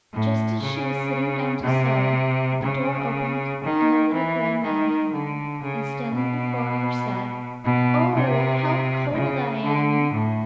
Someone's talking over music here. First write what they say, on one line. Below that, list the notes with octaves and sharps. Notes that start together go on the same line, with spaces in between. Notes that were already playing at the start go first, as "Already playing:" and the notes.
Just as she was sitting down to sew, the door opened and a little gray man came in, and, standing before her, said: 'Oh! how cold I am!'
A2
C#3
C3
C#3
D#3
E3
D#3
D3
C#3
B2
B2
C3
C#3
D3
A2